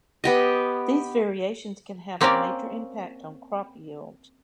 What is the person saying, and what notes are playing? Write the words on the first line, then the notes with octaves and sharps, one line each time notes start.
These variations can have a major impact on crop yield.
B3 G4 D#5
A#3 C4 C#4 G4 A#4 D5